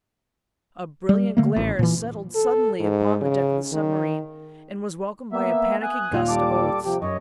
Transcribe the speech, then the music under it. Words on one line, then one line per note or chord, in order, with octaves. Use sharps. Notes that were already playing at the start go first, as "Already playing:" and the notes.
A brilliant glare settled suddenly upon the deck of the submarine, and was welcomed by a panicky gust of oaths.
G3
D3 A3 A#3
A1
A#2 E3
A4
G#2
C#3
D#3
A#3 B3 E5
G#5 D#6 F#6
D#2 A#2 F4
G3 A4 D6
C3 F3 G4
F#2 C#5 D#5